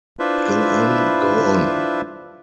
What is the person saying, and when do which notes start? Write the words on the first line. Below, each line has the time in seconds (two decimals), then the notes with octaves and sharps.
Go on, go on!
0.19 D4 E4 F4 B4 C5 E5